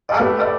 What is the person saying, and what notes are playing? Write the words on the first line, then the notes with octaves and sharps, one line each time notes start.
I I
D5
A3 G4 B4
D5